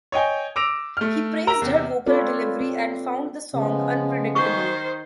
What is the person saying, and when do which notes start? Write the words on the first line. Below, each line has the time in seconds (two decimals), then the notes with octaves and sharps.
He praised her vocal delivery and found the song unpredictable.
0.12 C#5 D#5 G5 G#5
0.56 D6 E6 A#6 D7 F7
0.97 A3 F6
1.47 A#4 A#5 E6
1.62 E2 C3
2.06 C4 F4 A4 B4 C#5 D5
2.61 C4
3.54 C#3 F3 G#3 B3
4.35 D#3 G4 C5 C#6